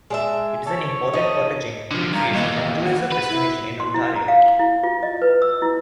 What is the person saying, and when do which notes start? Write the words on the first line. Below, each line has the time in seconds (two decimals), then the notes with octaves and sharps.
It is an important cottaging, recreation and tourism destination in Ontario.
0.10 G#3 D4 E5
0.67 A4 C#5
1.13 A3 D#4 D#5
1.91 D3 F3
2.14 G2 A#5
2.34 D#2 E3 D#5
2.84 F#5
3.12 B4
3.29 E4
3.80 C6
3.94 E4
4.16 A#5
4.28 F5
4.59 E4
4.83 F4
5.03 D#5
5.22 B4
5.42 E6
5.62 E4